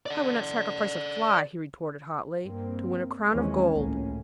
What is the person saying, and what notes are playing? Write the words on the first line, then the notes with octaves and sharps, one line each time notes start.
"I would not sacrifice a fly," he retorted hotly, "to win a crown of gold!"
D5 F#5
G2 A#3 C4
D#2 E3 F3 G#3 C4 C#4
G#1 C#2 A2 A#3 C#4